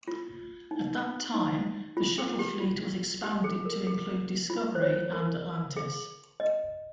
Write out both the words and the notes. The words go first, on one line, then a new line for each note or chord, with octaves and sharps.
At that time the shuttle fleet was expanded to include "Discovery" and "Atlantis".
F4
D#4
D#4
F4
G#4
G4
F4
G4
G#4
A#4
G#4
F4
C5
C#5
A#4
G#4
D#5